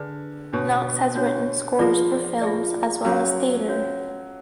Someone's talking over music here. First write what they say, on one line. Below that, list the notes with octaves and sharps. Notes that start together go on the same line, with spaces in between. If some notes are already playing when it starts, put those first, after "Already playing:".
Knox has written scores for films as well as theater.
Already playing: D3 D4 G#4 B4 D5
B2 D4 F#4 C#5
D4 F#4 C#5
F3 F4 G#4 D5
F4 G#4 D5
F#3 C#4 F#4 C#5 F5
C#4 F#4 C#5 F5